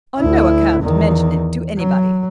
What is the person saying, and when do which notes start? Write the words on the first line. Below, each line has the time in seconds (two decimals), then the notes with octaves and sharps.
"On no account mention it to anybody."
0.18 D2 E4
0.80 E2 D#3
1.77 F#3